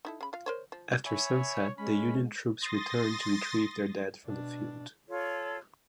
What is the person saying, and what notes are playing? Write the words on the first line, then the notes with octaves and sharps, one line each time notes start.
After sunset the Union troops returned to retrieve their dead from the field.
D#4 E4 A4
C#3 B5
F4 F5
A#4 C5 C#5
F3
C#5 E5 G#5 B5
G#3 C#4 B5
C6 D#6 A6 A#6
B2 D4
F4 A4 C#5